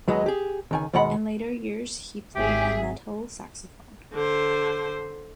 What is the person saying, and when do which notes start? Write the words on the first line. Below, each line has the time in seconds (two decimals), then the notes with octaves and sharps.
In later years, he played a metal saxophone.
0.08 D#2 F#3 G#3 B3
0.26 G4 G#4
0.71 C#2 D#3 G#5
0.93 D#2 B2 D#3 G#3 F#5 B5
2.35 G#1 G4 G#4 E5
4.13 D3 C5